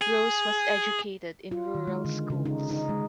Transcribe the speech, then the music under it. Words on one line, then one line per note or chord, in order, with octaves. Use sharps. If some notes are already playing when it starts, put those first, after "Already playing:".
Rose was educated in rural schools.
G#4
F4
D#3
G#3
D3
C#3
D#4
D#4
G#3